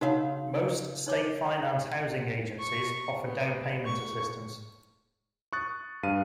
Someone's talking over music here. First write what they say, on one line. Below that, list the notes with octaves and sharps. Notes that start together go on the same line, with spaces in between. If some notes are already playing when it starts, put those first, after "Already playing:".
Most State Finance Housing Agencies offer down payment assistance.
C#3 D#4 F#4 C#5 E5 F5
D#4 C#5 D6
C#6
B3
C#6
C#6 D#6 F#6 A6
G2 F5 D#7